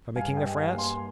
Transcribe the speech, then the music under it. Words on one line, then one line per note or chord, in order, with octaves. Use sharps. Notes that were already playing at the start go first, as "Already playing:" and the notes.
"From the king of France?"
G2 F5 G#5
D#5 G5
G2
F5 G#5
A#3
G#5 C6